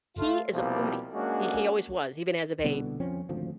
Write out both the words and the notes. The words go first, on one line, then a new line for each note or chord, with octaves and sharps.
he is a foodie. He he always was, even as a babe.
A3 F4
C2 B2 F3 G3 A#3
G#3 A#3 C#4 D4 F#4
C2 B2 D3 B3
F2 F3 C4 C#4
G#1 D2 F3